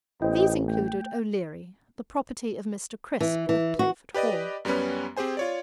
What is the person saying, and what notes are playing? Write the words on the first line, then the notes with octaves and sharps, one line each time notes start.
These included O'Leary, the property of Mr. Crisp, of Playford Hall.
A1 E4 C5 D#5 G5
A3 G5
E3
E3
F#4
G4 B4 D5 D#5
F#2 G3 B3 C#4 B4
C4 G4 G#4 C5 G#5
F4 C#5 D5